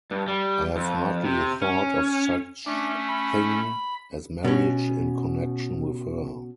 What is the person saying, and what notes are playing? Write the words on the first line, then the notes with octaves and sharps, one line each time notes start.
I have hardly thought of such thing as marriage in connection with her.
G2
G3
F2
C3
C#4
A3 C#4 D4
B5
B2 C#4